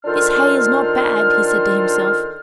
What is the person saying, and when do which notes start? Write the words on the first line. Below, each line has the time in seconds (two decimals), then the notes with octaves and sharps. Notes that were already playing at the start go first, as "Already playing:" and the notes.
"This hay is not bad," he said to himself.
0.05 D#3 D4 F4 A4 C5 F6